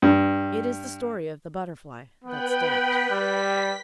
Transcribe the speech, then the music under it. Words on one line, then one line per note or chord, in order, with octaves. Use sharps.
It is the story of the Butterfly that Stamped.
G2
B3 B4 G5 B5
G3 B6